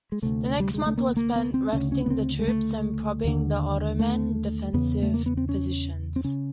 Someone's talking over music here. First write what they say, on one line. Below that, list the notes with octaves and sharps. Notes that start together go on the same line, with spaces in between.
The next month was spent resting the troops and probing the Ottoman defensive positions.
G#3
D2 C3 A3
G3
G#3
A3
A#3
A#3
B3
C4
D2 C#3 C#4
C#4
B3
C4
G#3
A3
D#2 D3
A3
E2 C#3 B3
A3
A#3
B3
C4
C#4
C4
C#3 C#4